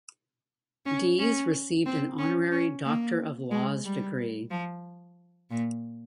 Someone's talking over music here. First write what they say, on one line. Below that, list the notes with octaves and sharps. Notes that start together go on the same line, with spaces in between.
Dees received an honorary Doctor of Laws degree.
C#4
C#4
C4
C#4
C#4
A#3
G#3
G3
F3
A#2